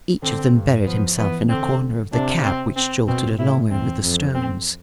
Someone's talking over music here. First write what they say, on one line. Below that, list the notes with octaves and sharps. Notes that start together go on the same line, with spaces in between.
Each of them buried himself in a corner of the cab which jolted along over the stones.
D3 C4
G2
F3 B3
E3 B3
D3 C4
C3 D4
C4
C4
B2 C4
A2 E4
E2 C4
F2
C4